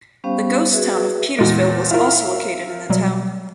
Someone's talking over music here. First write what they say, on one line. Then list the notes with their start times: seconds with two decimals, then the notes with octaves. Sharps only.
The ghost town of Petersville was also located in the town.
0.24 G3 B3 C#4 G4 C5 F5
0.73 F#4 G#4 B4 E5
1.39 E2 A#2 G#3 A#6
1.91 E4 F4 A#4 E5 F5
2.90 B2 F#3 G3